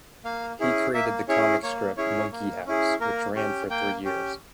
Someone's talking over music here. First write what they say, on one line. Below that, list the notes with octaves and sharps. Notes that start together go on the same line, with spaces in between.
He created the comic strip "Monkeyhouse", which ran for three years.
A#3 F5
C#4 E4 G#4
A#3 E5
C#4 E4 G#4 C#5
A#3 C#5
C#4 E4 G#4 C#5
A#3
C#4 E4 G#4
A#3 A#4
C#4 G4
A#3 G5
C#4 G4